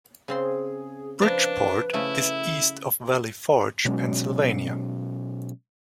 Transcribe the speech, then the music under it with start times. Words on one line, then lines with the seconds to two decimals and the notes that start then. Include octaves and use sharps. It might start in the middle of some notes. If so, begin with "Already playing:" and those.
Bridgeport is east of Valley Forge, Pennsylvania.
0.28 C#3 C4 G#4 C6
1.21 F3 D4 B4 A5 A#5
1.94 C#3 A3 E4
3.85 B2 F#3 G#3 C#4